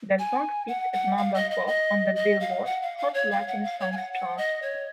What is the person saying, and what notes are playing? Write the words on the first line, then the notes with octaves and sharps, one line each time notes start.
The song peaked at number four on the "Billboard" Hot Latin Songs chart.
G#5
F#5
F#5
F5
D#5
D#5
D#5
D#5
F5
F#5
F5
F5
C#5
F5
F#5
F5
C#5
G#5
F#5
F#5
D#5
C#5